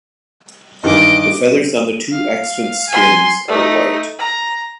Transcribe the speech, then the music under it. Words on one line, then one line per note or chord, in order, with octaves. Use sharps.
The feathers on the two extant skins are white.
G2 D#3 E3 D#5 D6
F5
G#5 C6
A3 D#4
A#5